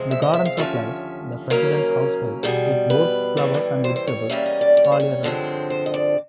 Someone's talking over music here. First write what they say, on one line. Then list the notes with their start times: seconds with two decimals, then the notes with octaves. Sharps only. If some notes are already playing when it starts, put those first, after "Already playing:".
The garden supplies the President's household with both flowers and vegetables all year round.
Already playing: C3 F3 G#3 C4
0.11 E5
0.22 D#5
0.33 E5
0.45 F5
0.57 D#2 D3 F3 C#4 E5
1.50 D#2 C#3 F#3 A#3 C#4 A#4
2.43 E2 B2 G3 G#4
2.90 B4
3.37 A2 E3 G3
3.84 C5
3.96 C5
4.07 C#5
4.30 E2 B2 G3 A#3 C#4 E5
4.46 D#5
4.61 D5
4.77 D5
4.84 C#5
4.92 C5
5.00 C#5
5.23 G2 D3 F3 G#3 C4
5.70 C5
5.86 D#5
5.94 D5